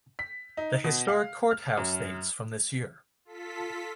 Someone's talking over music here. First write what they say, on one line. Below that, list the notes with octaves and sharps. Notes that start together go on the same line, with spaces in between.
The historic courthouse dates from this year.
B6
D#4
B2
F5
F6
F#2
F4 A4 B6